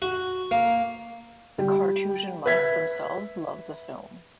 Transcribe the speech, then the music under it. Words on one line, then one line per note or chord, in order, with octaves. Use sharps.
The Carthusian monks themselves loved the film.
F#4
A#3
G3
B4 E5 G#6 B6